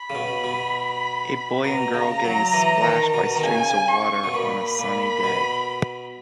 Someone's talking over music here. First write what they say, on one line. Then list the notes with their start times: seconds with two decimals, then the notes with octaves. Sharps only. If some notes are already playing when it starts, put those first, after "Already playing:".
A boy and girl getting splashed by streams of water on a sunny day.
Already playing: B5
0.10 C#3
0.15 B2
0.44 B2
1.64 B2 A#5
1.94 C#3
2.25 F#3
2.53 E3
2.84 D#3
3.14 B2
3.35 D#3
3.43 C#3 G#5
3.88 C#6
4.24 B2
4.34 A#2 B5
4.79 A#2
5.23 B2